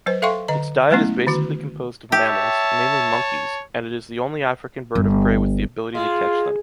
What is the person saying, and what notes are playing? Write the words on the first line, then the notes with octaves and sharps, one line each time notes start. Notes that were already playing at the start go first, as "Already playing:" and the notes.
Its diet is basically composed of mammals, mainly monkeys, and it is the only African bird of prey with the ability to catch them.
F#3 B4 C5
A4 E5 F5 G5 C6 C#6
D3 D#5 A#5
F#3 G#3 A3 B3 C#4 E4
D3 D#3 F#4
G4 C#5 E5 A5
G1
G#3 F4